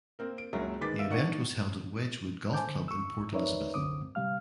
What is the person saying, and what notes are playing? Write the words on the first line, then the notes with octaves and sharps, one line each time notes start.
The event was held at Wedgewood Golf Club in Port Elizabeth.
A#3 C4 A#4
D7
F#1 C#2 A#2 F#3 A#4 E5
D#3 G#3 B4 D6 A6 B6
D#3 E5 F5 E6 D7
D#3 D4 D5 F#5 C#6 C#7
C5 G#5 A5 D6 G6
D3
C#6 E6
D#4 A#4 B4 C#5 D5 E5
C2 F#2 D3 C4 D6 D#6
C3 G3 F5 F6